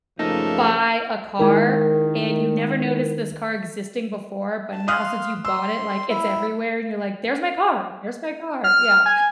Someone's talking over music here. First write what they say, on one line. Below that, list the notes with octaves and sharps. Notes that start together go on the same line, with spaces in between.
buy a car and you never noticed this car existing before, but now since you bought it, like, it's everywhere and you're, like, "There's my car. There's my car," yeah.
F#2 C#3 F3 A3 A#3 D#4 A4
D#3 G#3 E4 A#4
A5
F5 C6 D#6 F6 F#6
C6 E6
E4 E5
F6
G#5